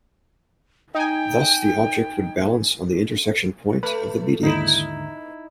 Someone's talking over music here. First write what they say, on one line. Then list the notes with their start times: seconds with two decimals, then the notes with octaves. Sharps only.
Thus the object would balance on the intersection point of the medians.
0.95 D#4 G5 G#5
3.83 A3 B4
4.43 D#2 G#2 D3 D#4 E4